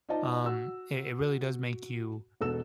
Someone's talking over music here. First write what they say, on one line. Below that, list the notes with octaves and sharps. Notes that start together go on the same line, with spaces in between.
um, it it really does make you
D#4 F4 C5 D5 D#5 A5
F#4 E6
E1 B2 A4 E6 E7